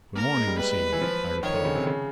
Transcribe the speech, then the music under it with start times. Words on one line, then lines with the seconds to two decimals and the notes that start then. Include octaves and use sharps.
"Good morning, Miss Eve!" I replied.
0.15 A#3 A#4
0.37 G#3
0.47 G3
0.58 G3 B4
0.93 E3
1.01 F3
1.43 D#3 C#5
1.54 D3
1.65 C#3
1.75 C3
1.87 C#3